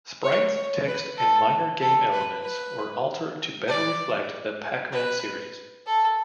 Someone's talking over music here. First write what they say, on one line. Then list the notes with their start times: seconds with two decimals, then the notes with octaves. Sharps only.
Sprites, text, and minor game elements were altered to better reflect the Pac-Man series.
0.24 C#5
0.55 C#5
0.87 B4
1.18 A4
1.81 A4
2.12 B4
2.43 B4
3.68 D5
4.92 B4
5.86 A4